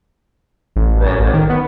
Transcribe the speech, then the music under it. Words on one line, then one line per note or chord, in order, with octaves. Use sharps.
Right, right.
A1
A1
D#3
B3